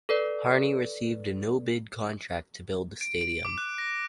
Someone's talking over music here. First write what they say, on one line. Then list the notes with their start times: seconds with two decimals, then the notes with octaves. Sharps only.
Harney received a no-bid contract to build the stadium.
0.09 A4 B4 D5
3.01 D7
3.21 D7
3.45 D6
3.58 F#6
3.78 A#6